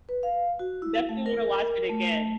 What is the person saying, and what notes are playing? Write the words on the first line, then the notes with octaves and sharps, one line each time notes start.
defintietly wanna watch it again.
B4
F5
F#4
E4
A3
A#4
A#4
A3